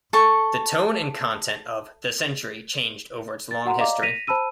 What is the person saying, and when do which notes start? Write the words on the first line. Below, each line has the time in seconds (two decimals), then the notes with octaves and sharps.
The tone and content of "The Century" changed over its long history.
0.13 A4 C#6
3.51 A6
3.65 F#4 F#5 A#5 C6
3.78 D5 D#5 F5 A#5 D6
4.02 A#6 B6 D#7 F7
4.27 C5 A5 B5 E6 D#7